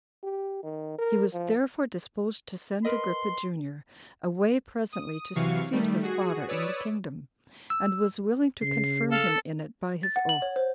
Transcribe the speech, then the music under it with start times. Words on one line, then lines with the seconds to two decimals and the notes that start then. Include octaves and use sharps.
He was therefore disposed to send Agrippa, junior, away presently to succeed his father in the kingdom, and was willing to confirm him in it by his oath.
0.23 G4
0.63 D#3
0.98 A#4
1.33 F3
2.85 A#4 B4 D#5 C6
4.92 D#6
5.35 C3 E3 F#3 F5 C#6
5.72 D#3 G3 A3
6.03 F#4 G#4
6.48 B4 C#5 D5 D#6 E6
7.70 E6
8.61 C#3 C7
9.11 A4 F5
10.03 A6
10.16 F#5
10.29 F#7
10.42 C#5
10.56 C5